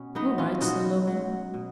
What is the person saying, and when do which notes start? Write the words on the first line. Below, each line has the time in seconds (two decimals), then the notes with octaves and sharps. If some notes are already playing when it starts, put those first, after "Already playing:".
"All right," said Logan.
Already playing: B2 C#4
0.15 F#3 B3 D#4
0.38 C#4 F4
0.61 B2 D#4 F#4
1.07 F#3
1.54 B2